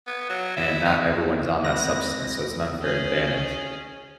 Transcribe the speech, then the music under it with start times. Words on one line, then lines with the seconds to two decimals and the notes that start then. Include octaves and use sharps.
and not everyone is on that substance, so it's an unfair advantage.
0.07 B3
0.30 F#3
0.57 E4
0.85 D#4
1.64 G#3 C4 B4 A#6
2.81 C#4 G#4